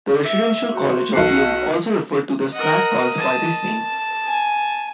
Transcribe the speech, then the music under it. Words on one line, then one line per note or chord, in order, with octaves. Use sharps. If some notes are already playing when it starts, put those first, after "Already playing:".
The residential colleges of Yale also refer to their snack bars by this name.
E5
F#4 C5
B1 F#4 F#5 A5 C7
A#4 D#5 F#5
A5
G#5